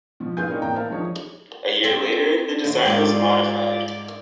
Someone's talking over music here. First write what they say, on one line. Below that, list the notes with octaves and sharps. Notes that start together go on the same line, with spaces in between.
A year later, the design was modified.
B2 F3
A2 F4 G#4 B4 G#5 G6
C4 D#4 A#4 C#5 D5
A1 A#3 G5 A#5
A#4 C5 E5 F5 A5
F3 D#4 G#4 C#5
C4 A4 G5
D#2 D3
G#2 G3 G#3 F4 G#4 D5